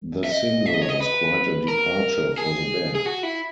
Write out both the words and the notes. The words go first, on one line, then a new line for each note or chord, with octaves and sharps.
The single was quite a departure for the band.
E5
D#5
E5
D#5
C#5
D#5
B4
A#4
G#4
G#4
F#4
E4